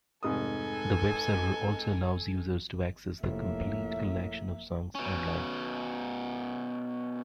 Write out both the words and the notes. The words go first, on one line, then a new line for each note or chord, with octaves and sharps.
The web server also allows users to access the complete collection of songs online.
F1 G#2 A4 G#5 D#6
F1 A2 A#3 E5
B2 C#4